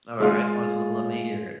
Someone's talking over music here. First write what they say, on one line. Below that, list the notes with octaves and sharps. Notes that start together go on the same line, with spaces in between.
Alright. Let's l let me hear it.
G#3 F4 G#4